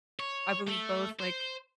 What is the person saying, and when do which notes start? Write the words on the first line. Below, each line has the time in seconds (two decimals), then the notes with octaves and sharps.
I believe both, like,
0.20 C#5
0.68 A3
1.20 C5